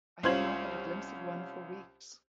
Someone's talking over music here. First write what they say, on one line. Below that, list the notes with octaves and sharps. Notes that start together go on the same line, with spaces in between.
I have not had a glimpse of one for weeks.
C2 C#4 F4 C5 G#6 F#7